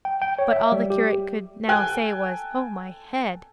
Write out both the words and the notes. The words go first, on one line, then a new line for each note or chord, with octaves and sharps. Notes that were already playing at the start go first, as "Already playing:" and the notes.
But all the curate could now say was, 'Oh, my head!'
G5
G5
C#5
E5
G3
G4
A4 G5 G#5 F#6